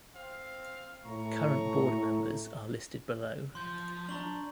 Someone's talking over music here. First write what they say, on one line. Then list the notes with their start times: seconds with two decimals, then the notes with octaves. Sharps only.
Current Board members are listed below.
0.16 C4 F5
1.06 A2 A#5 C#6
3.55 F3 C6 G6
4.09 D4 A#5 C#6 F#7